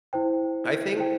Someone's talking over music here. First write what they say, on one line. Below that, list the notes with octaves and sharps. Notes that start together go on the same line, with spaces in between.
I think
E4 C5 G5
E4 C5 G5